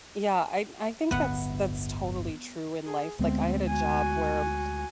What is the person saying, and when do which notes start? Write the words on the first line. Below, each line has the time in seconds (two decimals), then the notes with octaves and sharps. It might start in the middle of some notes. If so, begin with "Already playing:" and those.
Yeah, I I think that's that's totally true in life. Like, I had a job, where
1.11 D1 G1 D3 B3 F#5
2.85 G#4
3.19 D2 G#3 B3 C4
3.68 F#4 G#5